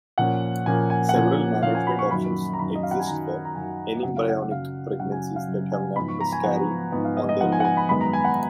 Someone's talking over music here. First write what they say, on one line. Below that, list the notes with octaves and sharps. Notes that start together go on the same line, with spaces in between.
Several management options exist for anembryonic pregnancies that have not miscarried on their own.
A#2 F3 A#3 C#4 F#5
A#2 F3 A#3 C#4 G#5
G#5
F#5
A#2 F3 A#3 C#4 G#5
A#2 F3 A#3 C#4 F5
G#5
B5
C#6
F#2 D#3 F#3 B5
A#5
F#2 D#3 F#3 B5
D#5
F5
F#5
G#5
F#2 D#3 F#3 A#5
A#5
F#2 D#3 F#3 G#5
F#2 C#3 F#3 F#5
F5
F#5
F#5
F#2 C#3 F#3 F5
F#2 C#3 F#3 F#5
G#5
F5
F#2 C#3 F#3
G#5
G#2 F3 B3 B5
C#6
A#5
G#5
G#2 F3 B3 F#5
G#2 F3 B3
F5
D#5
D#5
G#2 F3 B3 F#5
G#5
F#5
G#5
B5
F#2 D#3 G#3 B3 B5
A#5
G#5
F#5